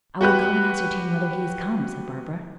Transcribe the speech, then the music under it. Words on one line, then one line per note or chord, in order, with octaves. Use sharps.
"I will go and ascertain whether he is come," said Barbara.
F#4 G4 B4 F#6